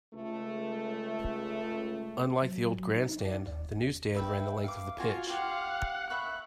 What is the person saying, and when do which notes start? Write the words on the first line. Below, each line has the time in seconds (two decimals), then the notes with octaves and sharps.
Unlike the old grandstand, the new stand ran the length of the pitch.
0.14 C#2 A3
2.43 F#3
2.96 D#4
3.20 D5
3.46 D#2
4.15 B4 E5 G5
4.64 F5 D6
5.00 F4 F#4 G#5
5.30 G4 F5 F#5 C6
6.10 E5 B5 C#6 F#6